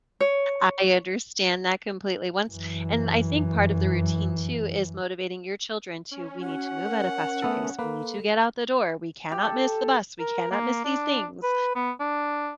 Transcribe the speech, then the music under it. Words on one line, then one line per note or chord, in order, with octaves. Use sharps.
I understand that completely, once and I think part of the routine too is motivating your children to, "We need to move at a faster pace, we need to get out the door, we cannot miss the bus, we cannot miss these things,"
C#5
F#2 E3
C#4
F#4 F#5
A#4
A3 B3 A4
A#3 A4 B4
G4
A4
A#4
A#3
D4
B4
B3
D4